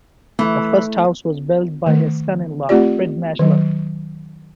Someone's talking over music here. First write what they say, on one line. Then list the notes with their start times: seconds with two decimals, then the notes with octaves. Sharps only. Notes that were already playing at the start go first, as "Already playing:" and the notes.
The first house was built by his son-in-law, Fred Maechler.
0.39 E3 A3
1.86 D#3 A3
2.69 A3 C4 F4 G4 D5
3.39 D#3 F#3